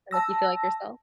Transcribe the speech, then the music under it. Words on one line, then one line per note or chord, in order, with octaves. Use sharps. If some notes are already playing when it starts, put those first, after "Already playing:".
that make you feel like yourself?
A5 E6 A#6